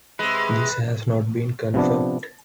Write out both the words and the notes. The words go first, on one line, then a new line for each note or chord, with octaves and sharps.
This has not been confirmed.
C3 G#3 B4
C3 F3 B3 D4